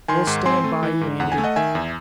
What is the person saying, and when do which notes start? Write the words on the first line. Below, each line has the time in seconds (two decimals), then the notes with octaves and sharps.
"We'll stand by you, Andy."
0.08 D#3 G#5 C6
0.27 G#2
0.46 C4 G#5 C6
0.64 A3
0.83 E3
1.01 G#2
1.20 E2 F#5
1.32 G#5
1.38 A3
1.44 D#5 F#5
1.56 D#3 E5 G#5
1.75 E2